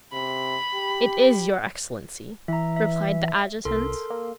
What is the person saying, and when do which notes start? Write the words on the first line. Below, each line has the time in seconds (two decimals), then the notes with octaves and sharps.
"It is, your excellency," replied the adjutant.
0.13 C3 B5
0.74 G4
2.48 E3 E5 A#5
2.76 E5
3.65 C2 A4 A#4 C6
4.10 A#3